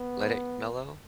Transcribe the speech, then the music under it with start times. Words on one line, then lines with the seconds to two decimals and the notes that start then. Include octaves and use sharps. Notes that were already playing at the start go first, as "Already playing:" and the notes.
let it mellow,
Already playing: B3